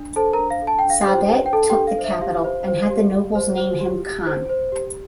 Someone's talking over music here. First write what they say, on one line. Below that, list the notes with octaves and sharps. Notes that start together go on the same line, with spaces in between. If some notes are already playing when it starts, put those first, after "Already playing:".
Saadet took the capital and had the nobles name him khan.
Already playing: D4
A4 C5 A5
A#4 A#5
D4
F5
A4
A5
G5
D4 F5
G4 G5
C5
D4
G5
A4 A5
G4 G5
D4
F5
C5
E5
G4 F5
C5
C5
G4
G4
C5
C5
G4
G4
C5
C5
G4